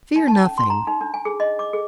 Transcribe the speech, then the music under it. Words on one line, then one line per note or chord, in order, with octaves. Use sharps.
'Fear nothing.
D#4
A5
C#4
C6
A#5
D#4
D4
G#5
G#4
D#5
D6
G#4